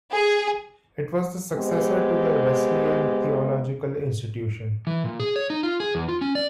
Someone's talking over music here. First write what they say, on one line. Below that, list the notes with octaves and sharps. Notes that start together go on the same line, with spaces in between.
It was the successor to the Wesleyan Theological Institution.
G#4
G#3 B3 C4 G4
E3
A#2
G#4
C#5
D#4
F4
G#4
E2
F4
C#4
D5